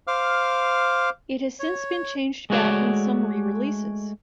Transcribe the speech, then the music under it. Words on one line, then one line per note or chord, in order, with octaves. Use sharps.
It has since been changed back on some re-releases.
C5 F5 D6 F6
C#5
G#3 A3 B3 F#4 C#5 D5